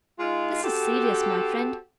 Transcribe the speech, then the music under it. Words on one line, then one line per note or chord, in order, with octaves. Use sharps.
This is serious, my friend!
G#3 D#4 F4
C4 F#4 G4 A4